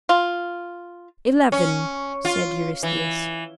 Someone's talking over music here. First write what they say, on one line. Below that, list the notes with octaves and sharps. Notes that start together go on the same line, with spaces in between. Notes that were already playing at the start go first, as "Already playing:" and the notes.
"Eleven," said Eurystheus.
F4
C#4
F4
E3